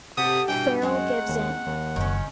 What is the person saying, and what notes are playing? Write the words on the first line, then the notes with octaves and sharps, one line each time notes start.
Farrell gives in.
C3 G4 A4 F#5 D#6
G2 B2 E3 G5 G#5
F#2 D#3 G#3 C4 F#5
D#2
D#2
F#1 D#3 C#4